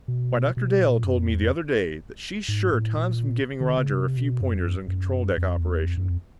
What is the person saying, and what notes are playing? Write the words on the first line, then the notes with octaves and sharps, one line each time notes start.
Why, Dr. Dale told me the other day that she's sure Tom's been giving Roger a few pointers on control-deck operation.
B2
B2
A#2
F#2
F2
E2
F2
G#2
A2
A#2
D3
C#3
C3
B2
F#2
F2
F#2
F#2
F2
E2
F2
F#2
F2